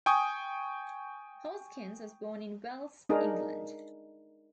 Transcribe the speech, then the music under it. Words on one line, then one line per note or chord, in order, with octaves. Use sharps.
Hoskins was born in Wells England.
G5 G#5 C#6 D#6
D4 D#4 G#4 A#4